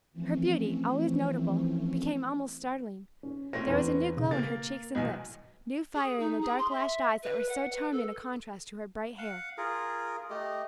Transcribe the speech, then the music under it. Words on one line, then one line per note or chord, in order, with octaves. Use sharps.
Her beauty, always notable, became almost startling; there was a new glow in her cheeks and lips, new fire in the dark lashed eyes that were so charming a contrast to her bright hair.
E3 F3 A3 C4 C#4
C#4
A3 C4 C#4 A#6
E2 B4
C#3
A#3 A#4 A6
E1 B1 D#5 G#5
G#4
D#4
G#4
C6
E5
B4
F#5
B4
A4
F5 F#5
F4 G#4 A#4
A3 G4 D#5